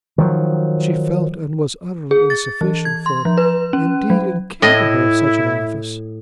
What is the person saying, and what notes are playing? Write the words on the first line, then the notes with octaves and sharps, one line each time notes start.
She felt, and was, utterly insufficient for--indeed, incapable of such an office.
D#3 F3 F#3
G#4
A6
E3
G#6
C6
F3
B4
C#4
F#3
A2 E4 D#5